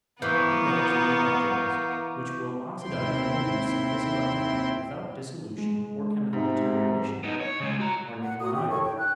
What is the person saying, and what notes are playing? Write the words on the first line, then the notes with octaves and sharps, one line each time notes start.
The active metals of the electrodes--which will oxidize and reduce in this electrolyte without dissolution or chemical deterioration--are nickel and iron.
E3 B3 A#4 F5 C#6 D6 G6
D#2 C3 C4 E4 G5 C6
G#3
G#2 C3
B3 D#4
C#5
C#3 G#3
F#4 A#5
F#5
F#4 D#6
G4
A4 A#4 C#5 C#6
D4 E4 G5
F#6